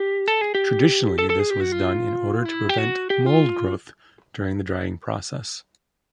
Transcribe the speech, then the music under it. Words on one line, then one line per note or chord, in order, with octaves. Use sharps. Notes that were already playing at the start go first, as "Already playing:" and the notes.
Traditionally this was done in order to prevent mold growth during the drying process.
Already playing: G4
A4
G#4
G4
A4
A4
G#4
G4
F#4
F4
E4
G4
F#4
G4
F4